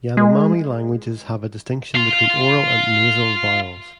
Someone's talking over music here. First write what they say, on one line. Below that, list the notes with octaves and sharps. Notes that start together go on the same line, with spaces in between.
Yanomami languages have a distinction between oral and nasal vowels.
G#3
F5 C6